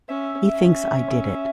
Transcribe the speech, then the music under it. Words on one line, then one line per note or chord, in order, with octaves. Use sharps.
He thinks I did it.
C#4 E5
C#4